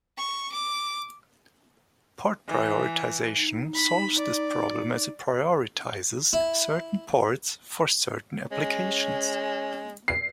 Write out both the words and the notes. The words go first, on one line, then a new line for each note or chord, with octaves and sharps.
Port prioritization solves this problem as it prioritizes certain ports for certain applications.
C#6
D6
E3
D#4
B5
D5
E4
G#3 C#4
C7